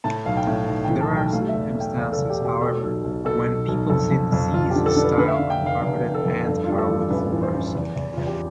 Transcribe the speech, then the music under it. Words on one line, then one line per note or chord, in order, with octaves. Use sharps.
There are circumstances, however, when people sit "seiza"-style on carpeted and hardwood floors.
A2 A5
B1 F5
G5
A2
B1
G5
E3
A5
B1
G5
A3 F5
E5
E2
A3
G5
E2 F5
A4
E2
G4
B2 G4
B2 A4
B1
B1
B2 A4
B1
B1
F2 A4
F2
F2
F2 F4
G4
D3
A4
D3
B4
D3 B4
E5
F5
D3
G5
F1
F5
F1 F5
F1
A4
F2
G2 A4
F4
G2 G4
A4
E3
A1 B4
E3
C5
A1
E2
E2
E2 F4
G4